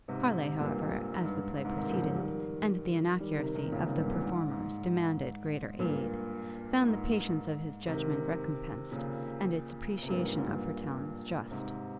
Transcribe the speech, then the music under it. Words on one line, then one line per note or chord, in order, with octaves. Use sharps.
Harleigh, however, as the play proceeded, and the inaccuracy of the performers demanded greater aid, found the patience of his judgment recompensed, and its appreciation of her talents just.
G#2 C3
G2 A#2
G#2
G2
G#2
G2
G#2 C3
C3 D#3
C#3 F3
C#3 F3
D#3 G3
D#3 G3
C3 D#3
C3 D#3
A#2 C#3
G#2 C3
G2 A#2
G2 A#2
G#2
G#2
G2 A#2
G#2
C3 D#3
A#2 C#3
C3
G2 A#2
G#2
G#2
C3
G2 A#2
G#2 C3